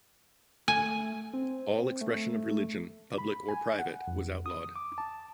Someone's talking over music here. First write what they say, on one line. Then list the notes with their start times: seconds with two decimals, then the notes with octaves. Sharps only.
All expression of religion, public or private, was outlawed.
0.68 A3 G#5
1.34 C4
2.01 A3
3.18 B5
3.48 G#5
3.79 F#5
4.07 F2
4.46 D#6
4.76 D6
4.98 A5